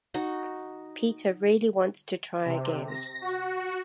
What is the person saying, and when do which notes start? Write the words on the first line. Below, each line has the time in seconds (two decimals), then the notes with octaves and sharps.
Peter really wants to try again.
0.14 D#4 F#4
2.45 C3
2.88 A#6
3.21 F#4